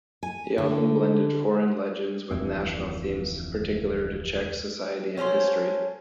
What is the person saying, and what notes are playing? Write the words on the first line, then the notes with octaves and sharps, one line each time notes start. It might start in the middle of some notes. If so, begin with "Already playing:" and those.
He often blended foreign legends with national themes particular to Czech society and history.
G#5
D3
D1 F2 E3 C4
F#3 C#4 A4 C5